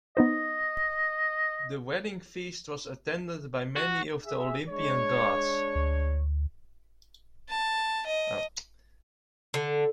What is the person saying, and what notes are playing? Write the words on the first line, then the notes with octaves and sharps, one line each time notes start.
Their wedding feast was attended by many of the Olympian gods.
B3 D#4 C5 D#5
F#4
G#4 E5
G#3 D4 C#5
D2
A5
D#5
D3